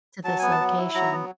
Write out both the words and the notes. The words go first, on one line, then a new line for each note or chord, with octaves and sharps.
to this location,"
F#3 A5
B3 G#5
A5
F#3
E4
F#3 A#5
B3